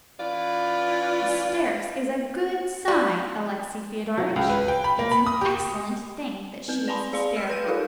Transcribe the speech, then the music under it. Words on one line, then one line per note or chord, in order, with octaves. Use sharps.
Hysterics is a good sign, Alexey Fyodorovitch; it's an excellent thing that she is hysterical.
E3 C#4 F4 D5
G3
F#3
C#2
B4
G5
B5
A#3
B5
D#6
G4
C4 B4
D5 G#5 A5 B5 C6
G#4 D5 F5 B5 C6
E6 F6 A#6 D7 E7
B4 G6 D#7
D#4 F4 G4 A4 A#4 F5